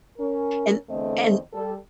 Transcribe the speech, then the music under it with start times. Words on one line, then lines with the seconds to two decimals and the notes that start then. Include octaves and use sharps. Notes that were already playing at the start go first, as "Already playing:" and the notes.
and and
0.19 C#4 A#4
0.89 E2 D3 A3 C4 D#5
1.54 G3 A4